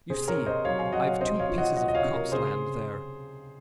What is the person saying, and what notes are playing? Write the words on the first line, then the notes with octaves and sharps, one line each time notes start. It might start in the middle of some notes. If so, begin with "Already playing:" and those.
You see, I've two pieces of copse land there.
C3 G#4 C5
A#4 C#5
C3
C5 D#5
F#3 C#5 F5
F5 G#5
F#3 D#5 F#5
C#5 F5
C3 C5 D#5
C#5 F5
F3
D#5 F#5
F3 D#5 F#5
D#5
C#5 F5
C3
A#4
C#3 G#4 C5